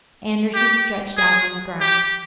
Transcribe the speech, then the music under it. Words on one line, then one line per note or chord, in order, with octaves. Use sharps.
Andersen stretched out on the ground.
G4
G#4
G4